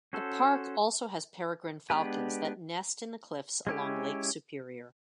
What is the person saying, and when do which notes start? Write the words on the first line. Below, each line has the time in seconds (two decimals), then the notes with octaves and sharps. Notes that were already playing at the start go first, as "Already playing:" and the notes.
The park also has peregrine falcons that nest in the cliffs along Lake Superior.
0.13 C#4 F#4 A4 C5
1.90 G#3 B3 D4 G4 B4
3.67 G#3 C#4 E4 G4